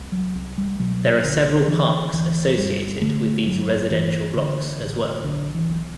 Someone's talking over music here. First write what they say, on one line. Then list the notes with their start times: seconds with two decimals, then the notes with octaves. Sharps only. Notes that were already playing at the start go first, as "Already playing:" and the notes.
There are several parks associated with these residential blocks as well.
Already playing: C2
0.12 F#3
0.35 C2
0.58 G3
0.79 B2 F#3
1.24 B1 D3
1.68 D3 E3
2.13 D2 E3
2.57 G1 G3
3.01 D3 A3
3.46 G1 F#3
3.90 G1 E3
4.35 D3
4.80 A1
5.24 B1 D3
5.54 E3
5.69 B1